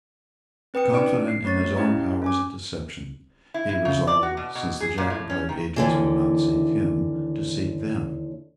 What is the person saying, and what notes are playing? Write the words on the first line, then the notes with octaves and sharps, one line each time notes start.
Confident in his own powers of deception, he resolved, since the Jacobite agents would not seek him, to seek them.
C4 B4 G5 D#6 C#7
C#4 D#4 D5 D7
C7
A3 C4 C#5 C#6 A6
C#4 E4 G4 D#5 F5 A#5
C#4 G#5 D6
E4
E4
C#3
D5
F#4
B2
B2
G#4
A#2
A2
C#4
D#3
D#2 D3 E3